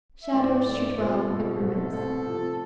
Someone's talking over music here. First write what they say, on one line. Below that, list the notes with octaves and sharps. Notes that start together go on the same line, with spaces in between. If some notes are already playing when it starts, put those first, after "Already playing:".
Shadows should dwell in ruins.
E5
G#2 E3 A3 E4 D5
G#2 E3 A3 E4 D5
B2 A3 C4 F4 C5
A4
B2 A3 C4 F4 A4
C2 B2 A3 C4
C2 B2 A3 C4 A4
C3 F3 A3